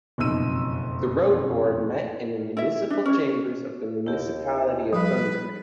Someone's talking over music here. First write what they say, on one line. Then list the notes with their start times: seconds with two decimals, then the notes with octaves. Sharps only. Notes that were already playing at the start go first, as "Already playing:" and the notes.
The road board met in the municipal chambers of the Municipality of Bunbury.
0.18 F#1 F2 B2 D#4 E6 D#7
2.57 E4 E5
2.90 D4 E5
3.06 C#4 C#5
4.06 D#2 E4 G4
4.93 F3 G3 B4